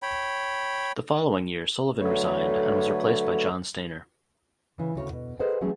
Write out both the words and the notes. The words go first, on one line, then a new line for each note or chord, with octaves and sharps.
The following year Sullivan resigned, and was replaced by John Stainer.
C#5 G5 B5
D3 F#3 A3 B4 C#5
C#3 E3
D2 C#3 A3 F#4 C#5
B2
G#4 A4 B4 C5 D#5 F#5
E3 F#3 A3 C#4 G4 G#4